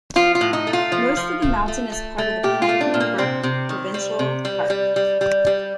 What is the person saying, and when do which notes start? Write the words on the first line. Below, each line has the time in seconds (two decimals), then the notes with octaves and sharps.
Most of the mountain is part of Pinecone Burke Provincial Park.
0.16 F3 F4
0.35 F4
0.41 A2
0.53 D#4
0.67 A3
0.73 F4
0.92 F3
1.17 F3
1.42 A3
1.68 A3
1.92 A3
2.18 A3
2.43 A#2 G4
2.62 F4
2.69 A3
2.81 D4
2.94 A#2
3.00 A#3
3.18 C3 C4
3.43 C3
3.69 D#3
3.94 G3
4.19 C3
4.45 G3
4.70 G3
4.96 G3
5.21 G3
5.47 G3